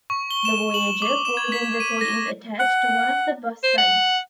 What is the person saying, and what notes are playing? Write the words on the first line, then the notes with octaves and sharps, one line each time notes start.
The Voyager Golden Record is attached to one of the bus sides.
C#6
G7
E7
F#7
D6
E7
G#6
B6
D#7
A#6
F#5
C5
F#5